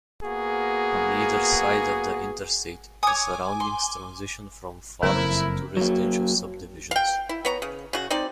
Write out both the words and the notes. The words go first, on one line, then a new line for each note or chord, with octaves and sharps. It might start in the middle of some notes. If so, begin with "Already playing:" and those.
On either side of the Interstate, the surroundings transition from farms to residential subdivisions.
A#3 B3 F#4 G#4
C#5 G#5 D6 D#6
C6
F#1 F2 F#3 C4 E4 A#4
F#3 A#3
F5 G5
E4
B3 C#5 A#5
C#3
C#3 F#4
C4 D#4 D5